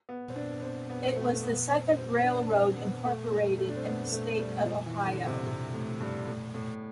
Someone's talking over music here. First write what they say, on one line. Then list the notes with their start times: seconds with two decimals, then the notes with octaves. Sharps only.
It was the second railroad incorporated in the state of Ohio.
0.09 B3
0.30 C4
0.36 D4
0.63 C4
0.90 B3
1.16 A3
1.43 B3
1.70 C4
1.97 C4
2.24 D4
2.51 C4
2.78 B3
3.05 A3
3.31 G3
3.58 A3
3.69 D4
3.77 C4
3.85 B3
4.12 A3
4.39 G3
4.60 G3
4.66 F3
4.86 E3
5.06 D3
5.26 C3
5.47 C3
5.74 A2
6.01 G2
6.27 A2
6.54 A2